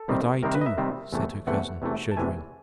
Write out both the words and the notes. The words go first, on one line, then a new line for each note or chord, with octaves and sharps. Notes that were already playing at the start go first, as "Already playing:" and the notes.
'But I do,' said her cousin, shuddering.
Already playing: A4
C3 D#3 G3 C4
C3 D#3 G3 C4 A#4
B4
D#5
E5
C3 D#3 G3 C4
E2 C3 E3 A3
E2 C3 E3 A3 F#5
E2 C3 E3 A3
A5
E2 C3 E3 A3 G#5